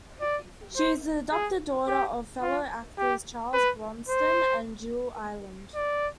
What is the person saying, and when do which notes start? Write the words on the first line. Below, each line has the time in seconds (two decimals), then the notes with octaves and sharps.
She is the adopted daughter of fellow actors Charles Bronson and Jill Ireland.
0.21 D5
0.76 C5
1.32 G#4
1.87 G4
2.42 F4
2.97 G4
3.54 B4
4.08 C5
5.75 D5